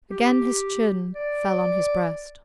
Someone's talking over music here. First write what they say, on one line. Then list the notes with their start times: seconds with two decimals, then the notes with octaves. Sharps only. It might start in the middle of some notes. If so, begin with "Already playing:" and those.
Again his chin fell on his breast.
0.11 G4
1.15 D5